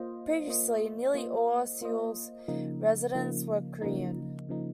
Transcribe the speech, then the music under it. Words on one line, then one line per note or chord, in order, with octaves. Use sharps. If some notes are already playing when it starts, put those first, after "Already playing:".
Previously, nearly all of Seoul's residents were Korean.
Already playing: A#3 F4 C5 D#5
A#3 F4 C5 D#5
A#3 F4 C5 D#5
A#3 F4 C5 D#5
C#3 F3 A#3 D#4
C#3 F3 A#3 D#4
C#3 F3 A#3 D#4
C#3 F3 A#3 D#4